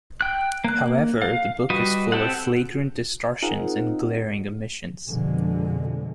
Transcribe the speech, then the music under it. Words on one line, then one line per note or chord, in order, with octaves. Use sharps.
However, the book is full of flagrant distortions and glaring omissions.
G5 F#6
A#3 F#6
F5
G3 F#4 B4 D#5
C4 G4 A4 F#5
C4 D#4 F4 G#4 A#4 F#5
F2 B2 D3 F3 G#3